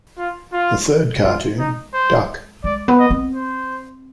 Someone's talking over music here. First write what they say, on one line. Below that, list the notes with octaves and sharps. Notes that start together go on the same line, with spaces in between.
The third cartoon, Duck!
F4
F4
G#3 F4
D#4
C5
G#3 D5
B3
D#5
C4
C5